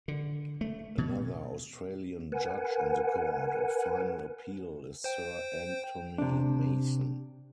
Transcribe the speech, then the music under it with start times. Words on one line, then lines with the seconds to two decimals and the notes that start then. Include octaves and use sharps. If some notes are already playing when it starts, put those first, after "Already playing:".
Another Australian judge on the Court of Final Appeal is Sir Anthony Mason.
0.08 D3
0.61 A3
0.98 B2
2.32 A#4 B4 F#5 G#5
5.04 C5 G5
6.18 C3 D4